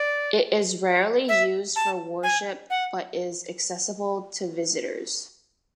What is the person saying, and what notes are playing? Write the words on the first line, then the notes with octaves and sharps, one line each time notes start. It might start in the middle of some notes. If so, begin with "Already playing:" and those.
It is rarely used for worship but is accessible to visitors.
Already playing: D5
E5
A5
G#5
F#5